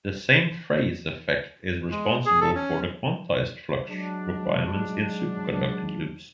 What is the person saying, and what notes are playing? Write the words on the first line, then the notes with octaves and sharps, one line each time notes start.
The same phase effect is responsible for the quantized-flux requirement in superconducting loops.
G#3
G#4
A4
C#4
F#3 G#3 D4